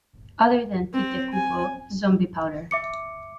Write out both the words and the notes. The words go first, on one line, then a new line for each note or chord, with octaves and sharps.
Other than Tite Kubo, Zombiepowder.
C4
G#5
E5 D6 C#7